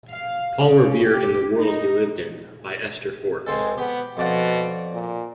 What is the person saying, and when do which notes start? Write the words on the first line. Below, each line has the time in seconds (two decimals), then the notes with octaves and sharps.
Paul Revere And The World he Lived In, By Ester Forbes.
0.11 F5
0.59 C#3
1.04 G4
1.55 D#4
3.46 C#2 G#3 C4 A4
3.78 B3 G4
4.17 F2 B2 D5 F#5
4.93 A#2